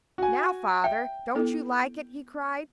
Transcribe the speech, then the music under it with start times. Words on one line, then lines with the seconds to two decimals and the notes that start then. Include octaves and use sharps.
"Now, father, don't you like it?" he cried.
0.18 F#4 G#5
0.84 E5 G5
1.35 B3 E4 A4